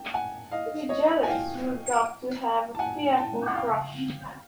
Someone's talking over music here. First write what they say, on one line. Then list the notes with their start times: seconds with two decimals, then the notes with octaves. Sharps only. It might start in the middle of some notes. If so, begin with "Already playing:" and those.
To be jealous you've got to have a fearful crush.
Already playing: G5 A5
0.14 F#5 G#5
0.51 D#5 F5
0.89 C#5 D#5
1.23 G#5
1.28 F5 G5
2.75 A5
2.79 F#5 G#5
3.17 G5 A5
3.47 F#5
3.55 F5 G5